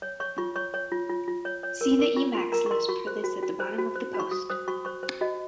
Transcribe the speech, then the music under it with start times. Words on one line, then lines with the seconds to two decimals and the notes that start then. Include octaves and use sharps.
See the Emacs lisp for this at the bottom of the post.
0.02 C#5
0.20 C#5 C#6
0.38 F4 C#6
0.56 C#5 C#6
0.74 C#5
0.92 F4
1.09 F4
1.28 F4
1.45 C#5
1.63 C#5
1.81 A#4
1.99 A#4
2.16 F4 C#6
2.35 F4 C6
2.52 A#4 A#5
2.66 C#6
2.71 A#4 C6
2.89 F#4 C#6
3.07 C5
3.24 F#4
3.43 F#4
3.60 C5
3.78 F#4
3.96 C5
4.14 F#4
4.20 C#6
4.31 F#4 D#6
4.50 C5 D#6
4.68 F#4 C#6
4.85 C5 C#6
5.03 C5
5.21 F#4 D#5